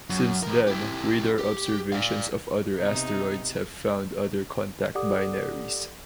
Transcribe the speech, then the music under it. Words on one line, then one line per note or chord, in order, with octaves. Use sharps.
Since then radar observations of other asteroids have found other contact binaries.
F#2
E3 A#4
E4 G4
G4
D5 F5
C3 B3 D#4
G4 A4 D5 F#5 D6 D#6